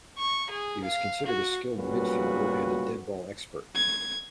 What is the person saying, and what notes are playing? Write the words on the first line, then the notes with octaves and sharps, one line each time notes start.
He was considered a skilled midfielder and a dead-ball expert.
C#6
G#4
F5
F#4
B1 A#2 C#3 G3 F#4 B4
G#6